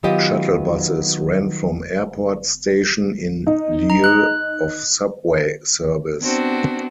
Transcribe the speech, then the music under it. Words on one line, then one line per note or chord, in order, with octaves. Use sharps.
Shuttle buses ran from Airport Station in lieu of subway service.
D#3 F#3 B3 F4 G4 D#5
D#4
A#5
F#6
B3 C4 D4 F#4